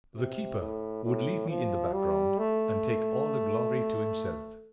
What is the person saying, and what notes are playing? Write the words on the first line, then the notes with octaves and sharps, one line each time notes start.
The keeper would leave me in the background, and take all the glory to himself.
C3
A2
A2
F3
G3
A3